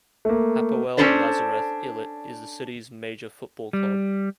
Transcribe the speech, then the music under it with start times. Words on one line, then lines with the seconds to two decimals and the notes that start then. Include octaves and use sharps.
Hapoel Nazareth Illit is the city's major football club.
0.25 A3 A#3
0.97 C#4 D4 F4 A4 C5 D5
3.73 G3